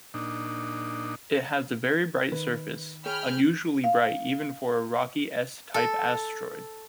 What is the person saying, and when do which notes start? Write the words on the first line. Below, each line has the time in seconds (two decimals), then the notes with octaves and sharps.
It has a very bright surface, unusually bright even for a rocky S-type asteroid.
0.14 A#2 D4 D#4
2.32 D#3 B4
3.06 G#4 C#5 G5 B5 F6
3.84 F5
5.74 A4